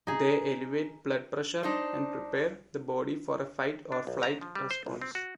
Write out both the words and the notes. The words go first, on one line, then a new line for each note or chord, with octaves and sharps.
They elevate blood pressure and prepare the body for a fight or flight response.
D#4 G#4
D4 D#4 C5
D4
B1
A#5
F3
G3
C5
A#1
C4
F#4